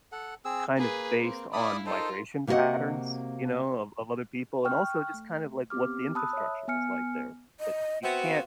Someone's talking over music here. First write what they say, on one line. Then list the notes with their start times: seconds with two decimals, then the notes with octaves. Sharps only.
kind of based on migration patterns, you know, of of other people, and also just kind of, like, what the infrastructure was like there. But y you can't
0.12 A4 F#5
0.45 C4 G#4 E6
0.77 A#3 G#4 B4
1.22 C4
1.53 E4 D5 F5 B5 D#6
1.86 D#4 F4 A4 A#4 C5
2.47 C3 A#3 F#4 G#4 D#5 F#5
4.65 G5 C#6 F6 F#6
5.14 A3
5.70 B3 C4 G4 D6 F6
6.15 A5 B5 D#6 E6 F#6
6.33 C#5 E5
6.68 B3 G#5 F6 C#7
7.60 D#5
8.03 B3 C4 F#4 E5
8.22 F5